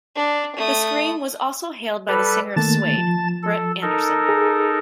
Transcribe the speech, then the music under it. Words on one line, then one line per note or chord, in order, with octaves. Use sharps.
"The Scream" was also hailed by the singer of Suede, Brett Anderson.
D4
A3 D#6
G3 A4 B4
D#3 A3 A#3 A5 A6
F3
A4
D#4 A4 A#4
G#4